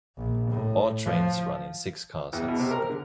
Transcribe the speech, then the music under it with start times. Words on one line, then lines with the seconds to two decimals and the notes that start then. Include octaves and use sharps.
All trains run in six-car sets.
0.17 A#1
0.49 A2
1.05 F3
2.33 E2
2.48 B2
2.59 C3
2.71 A#4
2.90 D3